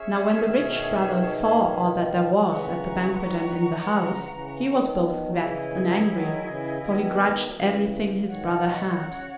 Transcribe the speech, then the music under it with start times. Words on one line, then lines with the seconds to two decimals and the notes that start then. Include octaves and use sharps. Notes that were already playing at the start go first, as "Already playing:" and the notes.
Now when the rich brother saw all that there was at the banquet and in the house, he was both vexed and angry, for he grudged everything his brother had.
Already playing: C#4 G#4 C#5 E5
0.32 E3
0.41 D#3
0.51 C#3
0.61 B2 D#3
2.44 F#3
2.48 C#3 E3 B4 F#5 A#5 C#6
3.21 D#3 F#3
3.93 C#3 E3
4.29 C#3 E3
4.66 B2 D#3
5.26 F#3
5.38 C#3 E3 E4 G#4 D#5
6.10 D#3 F#3
6.46 C#3 E3
6.82 B2 D#3
7.55 C#3 E3
8.27 B2 D#3 F#4 C#5 F#5
8.99 C#3